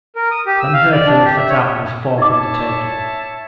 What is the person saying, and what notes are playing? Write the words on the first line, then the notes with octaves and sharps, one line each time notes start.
Then Hercules set out on his fourth undertaking.
A#4
D#6
G4
E6
F5
D5
D4
G4
E5
C#5
D#4 C#5 E5 A5 D6